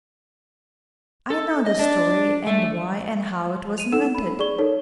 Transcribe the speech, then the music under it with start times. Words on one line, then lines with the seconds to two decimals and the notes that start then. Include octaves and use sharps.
I know the story and why and how it was invented.
1.30 A4
1.66 D#5
1.79 D4
2.47 A3
3.78 D#7 F7
3.92 D#4 A4 F#5 E6 E7
4.15 B5
4.39 G#4 D5 C#6 G7
4.58 D#4 A4 A#4 C#5